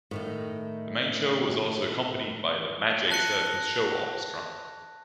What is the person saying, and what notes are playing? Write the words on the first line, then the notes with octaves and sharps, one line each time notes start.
The main show was also accompanied by the "Magic Circus Show Orchestra".
A2 D#3 A3
A5 F#6 A#6 C#7